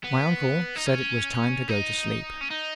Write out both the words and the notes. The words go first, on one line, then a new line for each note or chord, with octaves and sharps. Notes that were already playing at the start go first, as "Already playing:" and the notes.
My uncle said it was time to go to sleep.
B3
D#4
C#4
D#4
C#4
D#4